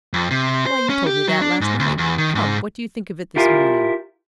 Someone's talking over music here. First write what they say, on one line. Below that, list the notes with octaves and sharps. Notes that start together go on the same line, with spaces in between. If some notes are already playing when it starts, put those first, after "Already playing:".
"Why, you told me that last night--come, what do you think of it this morning?"
F2
C3
C5
C#4
G4
F#3
D4
G#2
D2
E2
D#3
G#2
E4 F4 G4 A#4 F5 G#5